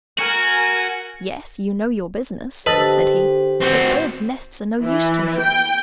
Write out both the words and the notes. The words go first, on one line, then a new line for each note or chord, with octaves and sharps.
'Yes; you know your business,' said he, 'but birds' nests are no use to me.
F#4 A#4 G#5
D3 G4 A4 B4 C5 D#5
C4 F#4
E3
G5